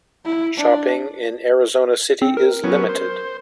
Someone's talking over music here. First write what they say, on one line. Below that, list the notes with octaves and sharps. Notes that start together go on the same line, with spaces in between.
Shopping in Arizona City is limited.
E4
D4
C4
A#4
F#3 B3 C#4
C5